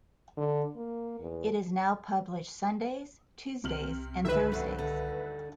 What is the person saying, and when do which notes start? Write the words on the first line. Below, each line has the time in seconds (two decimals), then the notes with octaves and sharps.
It is now published Sundays, Tuesdays and Thursdays.
0.37 D3
0.76 A#3
1.20 E2
3.64 C2 C3 F6 F#7
4.25 D2 G2 D#3 B4 E5
4.52 F#2 D3
4.79 D3